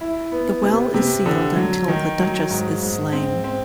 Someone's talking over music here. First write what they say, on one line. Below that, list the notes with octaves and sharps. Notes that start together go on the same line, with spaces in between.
The well is sealed until the Duchess is slain.
E4
B3
C3
C3
D3
F#3
D#3
F#3
G#2
G#2
C4
C4